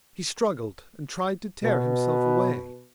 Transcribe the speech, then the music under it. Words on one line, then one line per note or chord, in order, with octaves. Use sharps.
He struggled, and tried to tear himself away.
B2